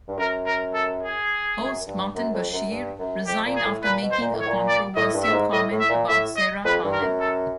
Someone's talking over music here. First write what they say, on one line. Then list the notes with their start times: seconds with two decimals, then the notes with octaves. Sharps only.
Host Martin Bashir resigned after making a controversial comment about Sarah Palin.
0.08 G2
0.18 F#2 A#4
0.46 A#4
0.74 A4
1.03 G#4
1.59 F#2
1.87 G2
2.15 F#2
2.33 F2
2.52 F#2
2.71 G2
2.99 F#2
3.27 F2 G4
3.46 A#2
3.55 G#4
3.65 A2
3.83 A#2 B4
4.02 B2
4.11 C5
4.20 A#2
4.34 A2
4.40 C#5
4.47 A#2
4.68 D5
4.96 A2 D#5
5.14 G2
5.23 E5
5.28 A2
5.33 G#2
5.52 A2 D#5
5.71 A2
5.80 E5
5.89 A#2
6.08 A2 E5
6.36 D#5
6.65 F2 B4
6.84 G2
6.92 A#4
7.01 F#2
7.20 A4